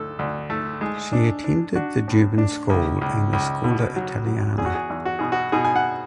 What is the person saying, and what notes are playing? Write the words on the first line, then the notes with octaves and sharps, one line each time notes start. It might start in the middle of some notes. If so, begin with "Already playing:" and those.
She attended the German School and the Scuola Italiana.
Already playing: D2 A3 A4
D2
A3
G#3
D4
D4
D4 F#4
A2
D4
C#2
C#2
C#2
B2
F#3
F#3
E2 G#4
F#4
G#4
E2
F#4
B2 G#4
F#4
B2 G#4
G#5
F#5